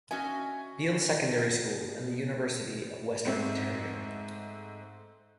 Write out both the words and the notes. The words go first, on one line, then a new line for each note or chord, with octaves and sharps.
Beal Secondary School and the University of Western Ontario.
C#4 F#4 D#5 E5 G#5
G#2 A3 C4 E5